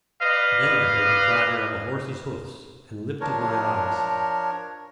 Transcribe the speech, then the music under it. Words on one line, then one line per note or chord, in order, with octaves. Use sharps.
Then I heard the clatter of a horse's hoofs, and lifted my eyes.
B4 D5 D#5 F5
F3 D4 A#4 C#5